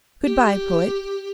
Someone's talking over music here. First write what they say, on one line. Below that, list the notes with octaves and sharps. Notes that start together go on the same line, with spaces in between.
Good-bye, poet.
G4